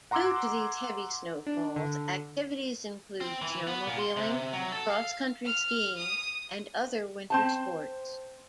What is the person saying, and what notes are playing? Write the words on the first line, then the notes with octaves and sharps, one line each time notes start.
Due to these heavy snowfalls, activities include snowmobiling, Cross-country skiing and other winter sports.
F#5 A#5 C6 D6 E6 G#6
D4
D3
C4
E3
B3
A#2
C6
C3
F#3
A4
F5
F6
D#6
C4 C5 A5